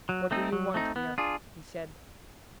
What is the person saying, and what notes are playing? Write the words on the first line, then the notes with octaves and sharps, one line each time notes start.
"What do you want here?" he said.
F#3
A3 C4 D#4
F#3
A3 C4 D#4
B3
D4 F4 G#4